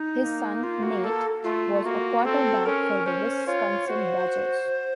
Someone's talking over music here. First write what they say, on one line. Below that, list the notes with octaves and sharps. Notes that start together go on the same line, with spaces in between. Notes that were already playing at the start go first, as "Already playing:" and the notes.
His son, Nate, was a quarterback for the Wisconsin Badgers.
Already playing: D#4
A#3
F4
F#4
A4
A3 F4
A#3 F#4
C4 A4
C#4 A#4
C#4 C5
F4 C#5
F#4 C5